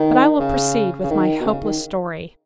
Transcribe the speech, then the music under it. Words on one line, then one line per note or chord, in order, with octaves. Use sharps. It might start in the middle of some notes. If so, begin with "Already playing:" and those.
But I will proceed with my hopeless story.
Already playing: D#3
C#3
C#3
D#3
B2
C#3
D#3